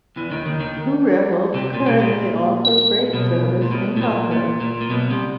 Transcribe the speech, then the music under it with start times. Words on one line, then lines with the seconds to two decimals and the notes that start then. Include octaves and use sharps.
Two railroads currently offer freight service in Butler.
0.16 E2 E3
0.30 D#2 D#3
0.46 D#2 D#3
0.60 D#2 D#3
1.54 C2 C3
1.74 A#2
1.86 B2
1.99 A#2
3.13 B1 B2
3.62 A#2
3.71 B1 B2
3.96 A2
4.02 A#2
4.32 A#2
4.61 A#2
4.81 A#2
4.90 B1 B2
5.10 C2 C3